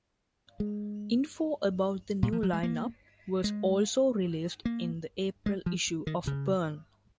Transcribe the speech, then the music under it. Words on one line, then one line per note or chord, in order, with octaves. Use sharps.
Info about the new lineup was also released in the April issue of Burrn!
G#3
A#2
F3
F#3
G#3
A#3
G#3
A#3
G#3
F3
D#3
C#3